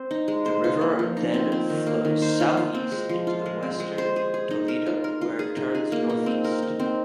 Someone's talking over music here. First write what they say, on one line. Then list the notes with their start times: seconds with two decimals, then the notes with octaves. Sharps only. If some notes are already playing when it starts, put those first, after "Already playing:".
The river then flows southeast into western Toledo, where it turns northeast.
Already playing: C4 C5
0.11 D#4
0.28 G#3
0.46 C5
0.64 F4
0.81 A#3
0.99 F3
1.17 D#4
1.34 C4
1.52 C4
1.70 D#3
1.87 A#3
2.05 D#3
2.22 C5
2.40 F4
2.57 F4
2.75 C4
2.92 G#3
3.09 F3
3.27 F4
3.46 G#3
3.62 C4
3.80 G#3
3.98 C5
4.16 G#4
4.34 G#4
4.51 D#4
4.68 A#4
4.86 F4
5.04 A#4
5.21 F4
5.39 G#4
5.57 D#4
5.75 G#4
5.92 A#3
6.09 D#4
6.26 C4
6.44 A#4
6.63 D#4
6.80 C4